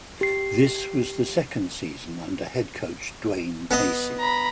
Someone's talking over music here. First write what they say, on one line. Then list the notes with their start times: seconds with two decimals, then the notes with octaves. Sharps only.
This was the second season under head coach Dwane Casey.
0.21 G4 C7
3.71 B3 D#5
4.19 A#5 B5